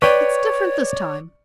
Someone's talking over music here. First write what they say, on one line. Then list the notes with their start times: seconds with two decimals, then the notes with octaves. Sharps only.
It's different this time.
0.02 B4 C#5 D5 G5 C#6